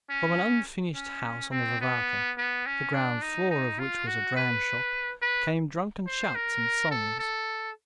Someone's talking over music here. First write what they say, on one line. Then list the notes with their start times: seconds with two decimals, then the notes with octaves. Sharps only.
From an unfinished house on the Varvarka, the ground floor of which was a dramshop, came drunken shouts and songs.
0.10 C#4
0.95 C#4
1.51 C4
1.81 B3
2.38 B3
2.66 C#4
2.94 D4
3.22 D#4
3.50 D#4
3.79 F4
4.07 F#4
4.36 B4
5.22 B4
6.07 C5
6.35 A#4
6.91 A4
7.20 A4